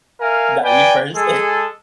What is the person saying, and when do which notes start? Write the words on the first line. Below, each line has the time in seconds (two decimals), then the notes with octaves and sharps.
Gotta eat first.
0.20 A#4 E5 F5 G#5
0.63 B4 D5 G5 G#5
1.15 G#3 G#4 A4